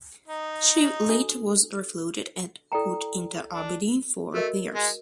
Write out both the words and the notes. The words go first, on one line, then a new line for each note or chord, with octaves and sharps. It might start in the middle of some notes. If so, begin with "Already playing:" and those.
She later was refloated and put into Aberdeen for repairs.
D#4
D4 F#4 A4
E4 A4 D5 G5 A#5
D4
A3 F#4 A#4 D#5
G#3